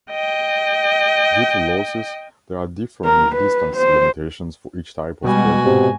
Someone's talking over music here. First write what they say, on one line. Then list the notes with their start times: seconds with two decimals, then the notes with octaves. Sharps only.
Due to losses, there are differing distance limitations for each type of cable.
0.11 D#5 G5
3.05 A#4
3.35 B4
3.77 C5
5.24 B2 G3 G#3 F#4 G#5
5.65 G#2 C3